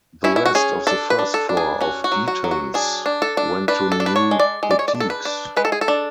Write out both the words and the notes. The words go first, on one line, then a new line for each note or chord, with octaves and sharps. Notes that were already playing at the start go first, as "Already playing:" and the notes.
The rest of the first floor of Eaton's went to new boutiques.
C#4 E4
E4
F#4
C#4 G#4
D4 A4
B4
D4
A4
D4
G#4
C#4 F#4
F#4
F#3
F#4
F#3
F#4
D4 G#4
D4
A4
D4
D4 B4
A4
D4
B4
C#5
G#3
D5
G#3
D5
C#5
D5
D4
A4
B4
D4
G#3 B4
A4
G#4
A4
D4